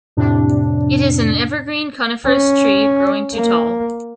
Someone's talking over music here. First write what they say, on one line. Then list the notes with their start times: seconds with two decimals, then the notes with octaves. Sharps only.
It is an evergreen coniferous tree growing to tall.
0.17 F2 A2 C3 D4
2.25 C#4
3.34 A#3